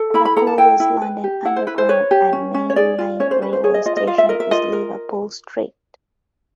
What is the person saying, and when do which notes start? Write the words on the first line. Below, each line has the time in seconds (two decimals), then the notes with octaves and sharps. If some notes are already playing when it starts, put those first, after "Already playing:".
The closest London Underground and mainline railway station is Liverpool Street.
Already playing: A4
0.14 E4 B5
0.25 B5
0.36 A4 A#5
0.47 A5
0.58 E4 G5
0.80 E4
1.02 B4
1.24 G4
1.45 E4 F#5
1.56 C5
1.67 E4 B4
1.78 C5
1.89 B4 C#5
2.11 G4
2.33 C#4
2.54 C#4
2.70 C#5
2.76 G#4 D5
2.99 F4
3.20 C#4 C#5
3.31 C5
3.42 C#4 B4
3.53 C5
3.64 G#4 C#5
3.74 D#5
3.86 F4 D#5
3.97 D#5
4.07 F4 F5
4.18 E5
4.29 A#4 D#5
4.40 E5
4.51 F4 D#5
4.73 A#4